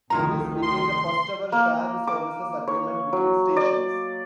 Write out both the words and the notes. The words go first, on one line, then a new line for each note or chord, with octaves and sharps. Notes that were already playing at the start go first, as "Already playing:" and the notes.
This began the first ever 'shared-services' agreement between stations.
F1 D2 D#3 E4 F4 A#5
C6
A#3
D6
C#5
F#3
D5